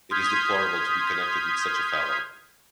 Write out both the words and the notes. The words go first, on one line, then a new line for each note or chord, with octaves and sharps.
It is deplorable to be connected with such a fellow.
C6 D#6 F6 G6 G#6 B6